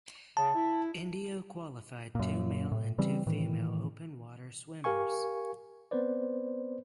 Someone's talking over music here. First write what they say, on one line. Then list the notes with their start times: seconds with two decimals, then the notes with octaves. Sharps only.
India qualified two male and two female open water swimmers.
0.37 C#3 A5
0.55 E4
2.15 F#2 A#2
2.72 A2
2.98 C#3 E3 G3 C4
3.27 A2 D#3 E3
4.84 G4 A#4 F5 G#5 C#6
5.91 B3 C4 B4 C5 D5